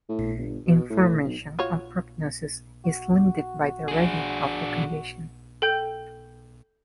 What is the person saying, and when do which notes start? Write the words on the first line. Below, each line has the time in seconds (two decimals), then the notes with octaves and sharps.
Information on prognosis is limited by the rarity of the condition.
0.09 A2
0.38 G1
0.66 B2
0.90 A2
1.24 B1
1.59 F4 F#4 C#5
2.84 F#4
3.88 D4 G#4
5.62 A4 G5 G6